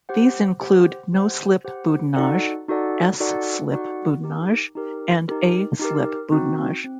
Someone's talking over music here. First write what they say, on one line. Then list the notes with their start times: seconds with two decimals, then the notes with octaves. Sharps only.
These include no-slip boudinage, s-slip boudinage, and a-slip boudinage.
0.09 G4 C5 F#5
0.60 G4 C5 F#5
1.12 G4 C5 F#5
1.64 G4 C5 F#5
2.16 D#4 F#4 A4 D5 F#5
2.68 D#4 F#4 A4 D5 F#5
3.20 D#4 F#4 A4 D5 F#5
3.72 D#4 F#4 A4 D5 F#5
4.24 D#4 G4 A#4
4.75 D#4 G4 A#4
5.28 D#4 G4 A#4
5.80 D#4 G4 A#4
6.32 C4 D#4 F#4
6.84 C4